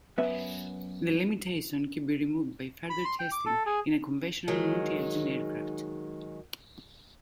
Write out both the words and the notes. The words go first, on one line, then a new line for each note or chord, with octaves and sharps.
The limitation can be removed by further testing in a conventional multi-engine aircraft.
F#2 B3 B4 E5
B5
C6
G5
D6
A4
G#4
D#3 F#3 G#3